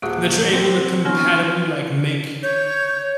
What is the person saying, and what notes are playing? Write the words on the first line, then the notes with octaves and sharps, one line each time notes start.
that you're able to compatibly, like, make
D#1 A#3 F#4 G#4 F#5 F#6
C4
B3 D4 E4 F#4 C#5 C6 C#6 F6
C#5 G6